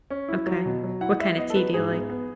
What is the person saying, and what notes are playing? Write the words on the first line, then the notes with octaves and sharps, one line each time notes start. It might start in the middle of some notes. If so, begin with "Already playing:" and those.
Okay. What kinda tea do you like?
C#4
E4
F#3
B2
F#3
E4 F#5
E4 E5
B3 D#5
A4
F#3 B4
G#2 G#4
B3
B3